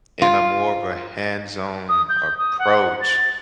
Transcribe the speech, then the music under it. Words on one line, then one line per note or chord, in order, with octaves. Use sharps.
in a more of a hands-on approach,
F4
D#6
G6
D#6
F#5
A6